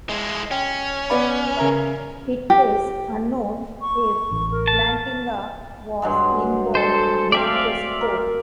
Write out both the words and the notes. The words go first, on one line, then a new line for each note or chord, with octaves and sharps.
It is unknown if Lantinga was involved with this port.
G#3 E4
C#4 G5
B3 D5 B5
C#3 A#4 E5
G4
C#6
A1
A#4
A5
G2 F#3 G#3
A4 C5
A3 C4 D5 E5 F5
A#4